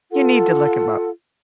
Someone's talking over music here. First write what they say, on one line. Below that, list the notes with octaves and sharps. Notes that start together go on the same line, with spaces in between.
You need to look him up.
F4 A4 F#5